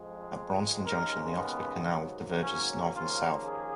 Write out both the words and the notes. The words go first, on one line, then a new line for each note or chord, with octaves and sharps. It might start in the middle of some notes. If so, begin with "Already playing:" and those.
At Braunston Junction, the Oxford Canal diverges north and south.
Already playing: F2 F3 G#3
D#2 C#3 G#3 A#4
B3
G#2 F#3 A#3
C#4
D#2 C#3 F3 A#3 F4
G#4